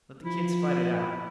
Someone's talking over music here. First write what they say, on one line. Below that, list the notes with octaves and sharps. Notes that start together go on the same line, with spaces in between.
"Let the kids fight it out."
F3 E4